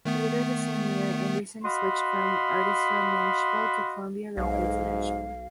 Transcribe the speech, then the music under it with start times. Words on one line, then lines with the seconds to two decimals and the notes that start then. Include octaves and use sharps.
Later the same year, Anderson switched from Arista Nashville to Columbia Records Nashville.
0.05 D#3 A3 B3
1.63 F#4 D#5 F5 B5 C6
4.37 B1 G#2 F5